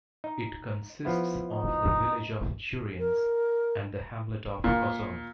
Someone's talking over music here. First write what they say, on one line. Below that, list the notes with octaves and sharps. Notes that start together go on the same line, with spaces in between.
It consists of the village of Juriens and the hamlet of Cosson.
D#4
F3 B3 E4
D#4
A#4
A#2